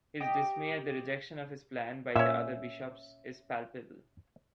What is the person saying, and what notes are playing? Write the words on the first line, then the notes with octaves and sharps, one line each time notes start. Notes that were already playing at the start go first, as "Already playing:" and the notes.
His dismay at the rejection of his plan by the other bishops is palpable.
G4 D#5
A#2 C#4 E5